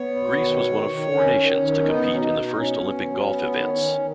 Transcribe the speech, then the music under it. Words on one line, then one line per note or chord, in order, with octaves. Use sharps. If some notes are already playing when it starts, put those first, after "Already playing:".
Greece was one of four nations to compete in the first Olympic golf events.
Already playing: B3 C#5
B2
D#3
D#3
D#3
D#3 C#4
D#3
D#3
B3 D#4
B2 C#4
D#4
B2
B2 C#4
B2
F#3
B3
D#3
D#3
D#3